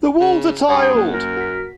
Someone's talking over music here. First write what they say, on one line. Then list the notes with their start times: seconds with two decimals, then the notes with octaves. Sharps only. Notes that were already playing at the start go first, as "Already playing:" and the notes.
The walls are tiled.
0.20 C#3
0.69 G2 G#4 C#5 F#5 G5
0.95 F#2 A#3
1.13 A#4
1.37 F#4 B6